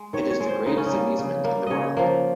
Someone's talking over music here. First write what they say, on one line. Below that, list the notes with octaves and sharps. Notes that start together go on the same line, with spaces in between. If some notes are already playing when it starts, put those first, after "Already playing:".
It is the greatest amusement in the world!
Already playing: G#3
D#3 C#5
C#5
G#3
C5
C#3 D#4
C#4
D#4
G3 A#3
C#3
G3 A#3
C#3 C#5 D#5
F3 A#3